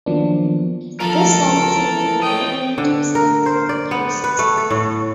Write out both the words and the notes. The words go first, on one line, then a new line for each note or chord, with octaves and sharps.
This salt is an ingredient in some toothpastes.
D#3 F3 F#3 A#3 B3 D4
F3 A4 A#4
C#2
E3
C#5 D#5 G5
D3
A#4
C5
D5
B3
B4
A3
A4
A2